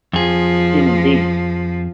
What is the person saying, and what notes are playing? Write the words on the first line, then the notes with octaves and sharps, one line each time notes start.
human being.
F2 F3 G#4